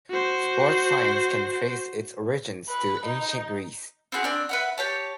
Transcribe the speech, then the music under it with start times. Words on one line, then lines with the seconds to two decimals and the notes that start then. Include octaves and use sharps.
Sports Science can trace its origins to ancient Greece.
0.11 F#4 C5
2.69 B4
3.06 D#4
4.12 C4 E4 F#4 G#4
4.24 C4 D4 D5
4.49 B4 E5 F#5
4.78 G4 C#5 A5